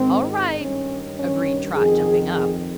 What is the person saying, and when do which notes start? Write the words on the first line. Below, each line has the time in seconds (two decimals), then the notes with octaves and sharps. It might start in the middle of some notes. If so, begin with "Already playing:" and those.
"All right," agreed Trot, jumping up.
Already playing: G#2 D#3 C4
0.60 G2 D#3 C#4
1.19 C#4
1.76 F2 D#3 G#4
2.33 G#4